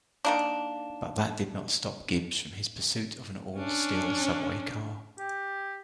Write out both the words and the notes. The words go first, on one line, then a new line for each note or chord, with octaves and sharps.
But that did not stop Gibbs from his pursuit of an all-steel subway car.
D#3 A#3 D4
C#4 D4
G4